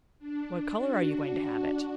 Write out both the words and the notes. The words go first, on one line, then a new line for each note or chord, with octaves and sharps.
"What color are you going to have it?"
D4
F#4